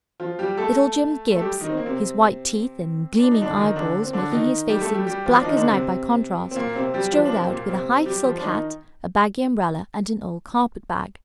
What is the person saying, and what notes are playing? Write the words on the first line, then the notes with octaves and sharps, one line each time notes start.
Little Jim Gibbs, his white teeth and gleaming eyeballs making his face seem as black as night by contrast, strode out with a high silk hat, a baggy umbrella, and an old carpet-bag.
F3 F4
G3 G4
A3 A4
A3 A4
G3 G4
D#3 D#4
C4
A#3
C3 C4
D4
D#4
D3 D4
D#3 D#4
D3 D4
C4
D3 D4
D#3 D#4
G3 G4
A3 A4
G3 G4
G3 G4
F3 F4
D4
D#3 D#4
D3 D4
C3 C4
C4
A#2 A#3
C3 C4
G3 G4
F3 F4
D4
C3 C4
A#2 A#3
C3 C4
G3 G4
F3 F4
D4
D#3 D#4